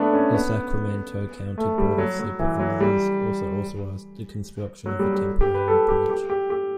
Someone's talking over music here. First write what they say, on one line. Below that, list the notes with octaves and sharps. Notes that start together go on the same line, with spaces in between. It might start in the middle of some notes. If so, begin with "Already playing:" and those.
The Sacramento County Board of Supervisors also authorized the construction of a temporary bridge.
Already playing: A3 B3 D4
C#4
B3
A3
G3
F#3
F#3
E3
F#3
G3
F#3
G3
G3
G4
B4
A4
G4
G4
G4
G4